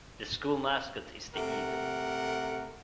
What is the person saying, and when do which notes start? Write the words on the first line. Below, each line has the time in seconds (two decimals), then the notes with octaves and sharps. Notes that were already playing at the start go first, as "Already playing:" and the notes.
The school mascot is the eagle.
1.35 C3 A3 A#4 F#5